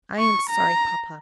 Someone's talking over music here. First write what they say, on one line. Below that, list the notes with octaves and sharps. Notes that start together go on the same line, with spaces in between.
'I am sorry, papa.
C#6
A#5